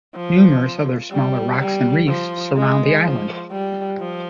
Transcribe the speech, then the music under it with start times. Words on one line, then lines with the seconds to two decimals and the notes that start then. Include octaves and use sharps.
Numerous other smaller rocks and reefs surround the island.
0.16 F3
1.12 G3
1.60 G3
2.07 F3
2.56 G#3
3.03 F3
3.52 G3
3.99 F3